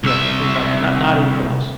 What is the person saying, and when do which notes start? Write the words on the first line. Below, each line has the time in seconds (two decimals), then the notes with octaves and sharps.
Yeah, exactly, not not anything else.
0.04 C2 E5